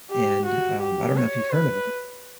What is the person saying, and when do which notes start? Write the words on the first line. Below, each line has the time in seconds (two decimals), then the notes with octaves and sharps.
and, um I don't know if you've heard of him.
0.11 G4
0.46 F#4
0.81 G4
1.17 C#5
1.52 B4